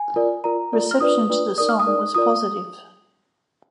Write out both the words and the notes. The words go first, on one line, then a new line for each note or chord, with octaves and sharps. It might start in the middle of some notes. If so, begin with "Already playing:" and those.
Reception to the song was positive.
Already playing: G#5
F4 A#4 D5
F4 A#4 D5 A#5
F4 A#4 D5
F6
D4 F4 B4 D5 D#6
D4 F4 B4 D5
D#4 A#4 D5 D#6
F6
D#6
D#4 A#4 D5
F4 A#4 D5 D#6